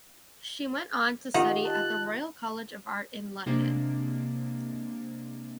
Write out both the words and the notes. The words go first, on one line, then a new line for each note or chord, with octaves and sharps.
She went on to study at the Royal College of Art in London.
D#3 F4 G4 D#5 F#5 A#5
A5 F#6
C3 G#3 A#3 C4 D4